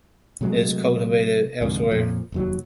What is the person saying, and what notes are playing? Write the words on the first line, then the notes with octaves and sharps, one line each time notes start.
It is cultivated elsewhere.
C3 F#3 G#3 A3
D2 G#2 C3 F3
F2 A#2 F3
F1 D#2 F#3